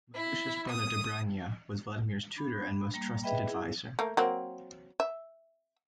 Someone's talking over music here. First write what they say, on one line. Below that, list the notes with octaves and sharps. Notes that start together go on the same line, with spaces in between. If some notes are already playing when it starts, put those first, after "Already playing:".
Malusha's brother Dobrynya was Vladimir's tutor and most trusted advisor.
E4
D#6
D4 B5
G3 A#3
G#4 B4 D#5 E5 G5 B5
E4 G#4
A3 A#3
F#3 A#3 C4
E5